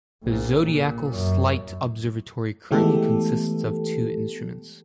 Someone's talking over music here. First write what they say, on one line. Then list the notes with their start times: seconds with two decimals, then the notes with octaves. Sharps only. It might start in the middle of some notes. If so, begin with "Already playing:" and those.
The Zodiacal Light Observatory currently consists of two instruments.
0.23 A#1 A#2
0.63 A#2
1.10 F#2
2.71 E3 G#3 A3 B3 G4 A4